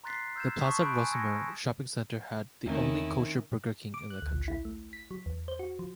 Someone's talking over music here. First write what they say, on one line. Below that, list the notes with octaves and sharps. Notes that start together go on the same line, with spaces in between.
The Plaza Rohrmoser shopping center had the only kosher "Burger King" in the country.
A#5 C6 F#6 A6 B6 C7
E6 F6 G6 G#6 C7 E7
A5 C6 C#6 D#6 B6
B5 F#6 G6 D7
G#5
D#6 E6 G#6 A#6 C#7
E2 D3 D#3 A3 C4 C#4 E4
D6
F#6
D2
A#1
E4
A3
B6
F#3
E2
C5
F#4
F3